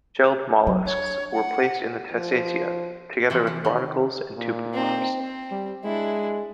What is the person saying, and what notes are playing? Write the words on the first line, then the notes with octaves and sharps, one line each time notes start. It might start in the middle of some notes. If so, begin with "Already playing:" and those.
Shelled molluscs were placed in the Testacea, together with barnacles and tube worms.
E3 F#3
D4 C#5
F#5
F3
C3 E3 F3
E3
D#3
A#2
C4 D#4
C4
G3
G#3 D4 E4